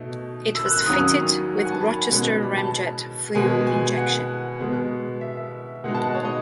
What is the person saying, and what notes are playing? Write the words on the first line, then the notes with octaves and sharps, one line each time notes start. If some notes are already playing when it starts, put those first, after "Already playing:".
It was fitted with Rochester Ramjet fuel injection.
Already playing: B2 A3 D#4
E6
F#6
F#6
D#2 D#3 F#3 C#4 D#6
F#5
G#5
A5
B5
B2 G#3 C#4 F#5
B5
A5
B2 G#3 B3 G#5
G#5
F#5
B2 G#3 B3
E5
E5
B2 G#3 D#4 F#5
A5
F#5
C#5
D#5